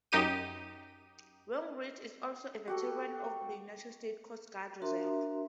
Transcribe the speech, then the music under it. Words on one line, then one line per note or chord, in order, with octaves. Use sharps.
Wainwright is also a veteran of the United States Coast Guard Reserve.
F#2 D#4 G4 D#7
F#4 G4 A4
D4 F#4 A#4 E5 A#5 C6